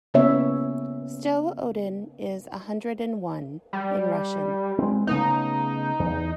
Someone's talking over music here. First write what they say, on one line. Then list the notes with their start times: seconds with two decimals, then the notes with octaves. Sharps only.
"Sto Odin" is "a hundred and one" in Russian.
0.14 C#3 A#3 B3 C#4 C#5 E5
3.73 G3
4.79 G#3 C4
5.07 C#3 A3 B3 D#4
6.00 E2